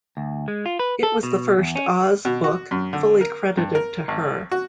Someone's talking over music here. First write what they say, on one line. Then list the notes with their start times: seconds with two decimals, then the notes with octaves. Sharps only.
It was the first Oz book fully credited to her.
0.17 D2
0.48 G#3
0.66 F4
0.79 B4
1.03 A4
1.23 B2
1.58 E2
1.75 C#4
2.25 B2
2.44 F#4
2.71 F#2
2.93 D3
3.21 A#4
3.57 G2
3.75 A#4
4.08 G#1
4.51 F#4